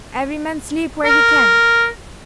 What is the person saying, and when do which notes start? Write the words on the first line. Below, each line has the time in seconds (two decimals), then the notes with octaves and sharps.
'Every man sleep where he can.
1.05 A#4